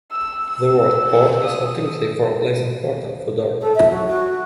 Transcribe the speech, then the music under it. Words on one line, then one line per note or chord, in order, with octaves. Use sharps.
The word "port" is ultimately from Latin "porta" for door.
E6
E6
D#6
A4
E5
F#3
F#4